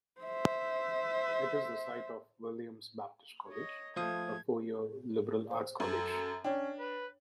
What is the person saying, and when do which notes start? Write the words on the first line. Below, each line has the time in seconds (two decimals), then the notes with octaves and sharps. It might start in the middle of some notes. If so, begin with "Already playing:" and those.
It is the site of Williams Baptist College, a four-year liberal arts college.
0.21 C5 E5
3.48 C#5 D#5
3.96 F3 A3 C5 F5 D#6 G#6
5.51 C5
5.80 F#2 A4
6.44 C#4 D4 C#5 G5
6.79 B4